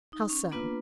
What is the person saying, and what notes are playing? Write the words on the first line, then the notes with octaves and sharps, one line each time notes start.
"How so?"
D#4
C#4
A#3 B3 D4 F4 B4